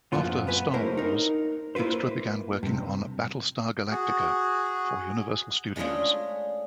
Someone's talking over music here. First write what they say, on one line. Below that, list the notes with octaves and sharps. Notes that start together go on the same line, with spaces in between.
After "Star Wars", Dykstra began working on "Battlestar Galactica" for Universal Studios.
F#2 A#2 F3 B3 F4
B3 C4 B4 G#5
A3 A#3 E4 A#4 C5 C#5
D#4 A#4
A#3 E4 F4 B4 C5
G2 C3
F#4 G#4
G#3 A3 C#4 D4 F4 G#4